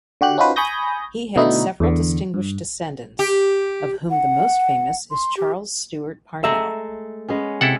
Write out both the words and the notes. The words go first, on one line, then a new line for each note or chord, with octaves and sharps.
He had several distinguished descendants of whom the most famous is Charles Stewart Parnell.
D3 F#4 G4 F#6
C#4 D#4 F4 F#4 B4 C5
G#5 B5 C#6 D#6 G6 A#6
B2 D3 A3 D#4 E4 F#4
E2 D3
G2
G4
F#5
C6
G4
G#3 A3 E5 A#5
G#3 B3 C#4
C3 E4 A4 F#5